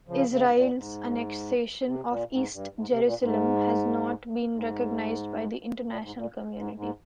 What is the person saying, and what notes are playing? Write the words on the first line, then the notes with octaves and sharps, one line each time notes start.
Israel's annexation of East Jerusalem has not been recognized by the international community.
C#3 F3
C#3
G#2
A#2
G#2
C3
A#2
G#2
G2
G#2
C3
A#2
G#2
G#2
A#2
G#2
A#2
G#2
G#2